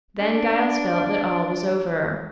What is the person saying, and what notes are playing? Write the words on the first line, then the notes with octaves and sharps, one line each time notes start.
Then Giles felt that all was over.
D4